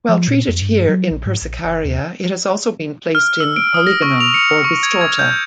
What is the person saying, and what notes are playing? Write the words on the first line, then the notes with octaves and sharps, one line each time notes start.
While treated here in "Persicaria", it has also been placed in "Polygonum" or "Bistorta".
F3
A#2
F2
G2
F#3
A#1
G#2
A#1
F#1
D#2
F6
E6
D7
D#6
A#6
C#6
F7
C#7
C#6
G#6
G#6
G6